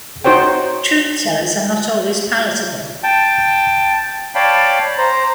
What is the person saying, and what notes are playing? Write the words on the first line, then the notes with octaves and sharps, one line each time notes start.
Truth-tellers are not always palatable.
D#4 F#4 C5 C#5 G5
G5 A5
C#5 D5 F5 G5 A5 B5
C5 A#5